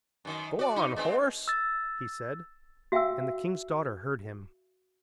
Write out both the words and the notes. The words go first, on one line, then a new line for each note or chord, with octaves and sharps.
"Go on, horse," he said and the king's daughter heard him.
F#2 D#3
F#4 D5
D#4
G#3 B3 C4
E6 A6
F#4 E5 F5 G5 G#5 E6